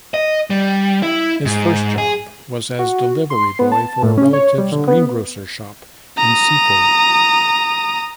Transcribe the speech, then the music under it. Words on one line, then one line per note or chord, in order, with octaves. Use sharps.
His first job was as delivery boy for a relative's greengrocer's shop in Seaford.
D#5
G3
E4
G#2
G#4
F#4
C6
B3
A5
A2
C#4
C#5
G3
D3
B3
A#5 D#6